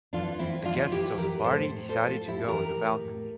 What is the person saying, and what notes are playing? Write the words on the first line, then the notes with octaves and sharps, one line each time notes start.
The guests of the party decided to go on the balcony.
E3 D4 F4
E3 C4 E4
E3 D4 F4
E3 E4 G4
E3 G4 A#4
A2 A4 C5
A2
A4 C5
A2
F4 A4
A2
E4 G4
A4
E3 G4 A#4
A2
A2